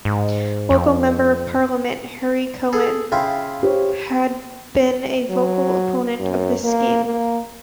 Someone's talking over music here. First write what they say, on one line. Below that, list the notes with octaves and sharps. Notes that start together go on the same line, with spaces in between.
Local Member of Parliament Harry Cohen had been a vocal opponent of this scheme.
G#2
F2
G#4 A4
C#3 E4 F4 G5
G4 C5 C#5
F#3
F#2
A#3
A#3